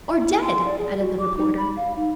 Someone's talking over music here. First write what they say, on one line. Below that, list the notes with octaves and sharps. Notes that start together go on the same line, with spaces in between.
"Or dead!" added the reporter.
E5
E4
C6
D5
G#4
F#4
D6
D#4
B5
F5
D#4